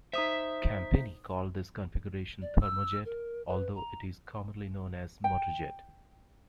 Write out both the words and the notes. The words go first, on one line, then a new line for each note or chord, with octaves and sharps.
Campini called this configuration "thermojet", although it is commonly known as "motorjet".
D#4 C5 E5 D#6 B6
D5
E6
A#4
B4
A#5
G5